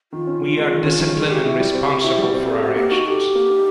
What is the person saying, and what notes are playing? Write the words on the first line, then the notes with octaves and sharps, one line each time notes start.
We are discipline and responsible for our actions.
D#3 F4
C#4
D#3
G#3
D#3
C#4
D#3
G#3
F#4 G4
E4
G3
C4
G4
E4
G3
C4
G#4 A4
F#4 G4
A#3 G4
D#4 F#4
G4 A4
F#4
A#3
D#4